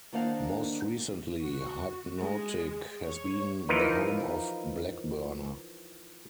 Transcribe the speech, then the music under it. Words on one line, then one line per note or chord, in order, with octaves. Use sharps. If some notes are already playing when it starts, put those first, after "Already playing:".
Most recently, Hypnotic has been the home of Blackburner.
D#3 A#3 D4 C5 F5 F#5
F#4
G#3
C#5
E3 F3 D#4 F4 A#4 B4